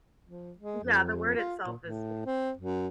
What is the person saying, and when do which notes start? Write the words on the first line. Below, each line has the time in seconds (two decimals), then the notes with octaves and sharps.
Yeah, the word itself is
0.26 F3
0.58 G#3
0.83 F2
1.37 F4
1.66 A#2
1.80 A2
2.26 C4
2.57 F#2